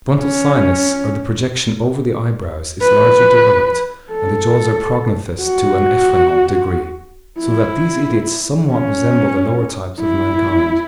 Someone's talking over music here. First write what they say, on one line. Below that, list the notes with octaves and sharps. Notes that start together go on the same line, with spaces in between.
The frontal sinus, or the projection over the eye-brows, is largely developed, and the jaws are prognathous to an "effrayant" degree; so that these idiots somewhat resemble the lower types of mankind.
C#4
B4
A4
F#4
E4
C#4
E4